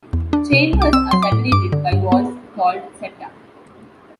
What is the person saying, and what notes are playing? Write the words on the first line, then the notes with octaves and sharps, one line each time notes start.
The chambers are separated by walls called septa.
E2
D4
C3
C2
D6
C4 E6
F#3 C6
D6
A2
G2 D6
D3
G2
B3